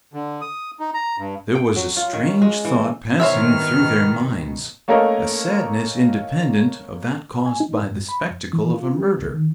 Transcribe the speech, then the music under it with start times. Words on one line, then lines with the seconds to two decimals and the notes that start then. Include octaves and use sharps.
There was a strange thought passing through their minds; a sadness independent of that caused by the spectacle of a murder.
0.14 D3
0.41 D#6
0.80 D#4
0.94 A#5
1.18 G2
1.55 G5
1.76 F#3
1.97 F4
2.13 D#3
2.28 C#4
2.42 G#3
2.65 E3
3.20 G2 B2 D#3 C5 C#5 E5 F6
4.88 A3 A#3 C#4 A4 A#4 D#5
7.46 G#5
7.60 D#4
7.82 G#2
7.96 G2
8.09 B5
8.31 F2
8.53 E3
8.74 F4
8.99 G4
9.19 C#2
9.34 D#3